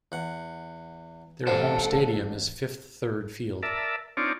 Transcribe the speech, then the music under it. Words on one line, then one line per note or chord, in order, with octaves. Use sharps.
Their home stadium is Fifth Third Field.
E2 F#5
A1 D4 A4 C5 F5 F#5 A5
A#4 D5 E5 A5
C4 D4 D#4 F4 C#5 D5